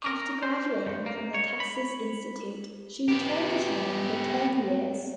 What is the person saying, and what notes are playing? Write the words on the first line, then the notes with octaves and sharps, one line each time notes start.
After graduating from the Texas Institute, she returned to Sherman for ten years.
A#4
C5
G2
A#3
C#5
B5
B3 G4